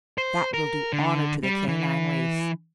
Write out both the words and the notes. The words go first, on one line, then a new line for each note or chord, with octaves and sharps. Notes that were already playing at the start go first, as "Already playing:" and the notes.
That will do honor to the canine race!
C5
A#4
D3
G3
E3